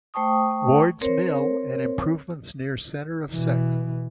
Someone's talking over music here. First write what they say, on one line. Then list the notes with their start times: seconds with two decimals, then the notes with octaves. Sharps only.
Wards Mill and improvements near center of Sec.
0.14 A3 C5 G5 A5 C#6 D#6
1.01 C4 A#4 C5 C#5
3.30 B2 E3